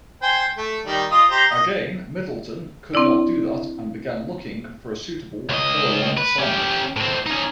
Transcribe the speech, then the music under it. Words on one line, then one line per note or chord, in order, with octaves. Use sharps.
Again, Middleton could not do that, and began looking for a suitable follow-on assignment.
C5 G5 G#5
A3
D#3 G3
F4 D#5 D#6
G4 C5 A#5
D#5
C4 D4 E4 D5
C#2 D#5
B4
C#4 G4
A2 C4
C#4 D#4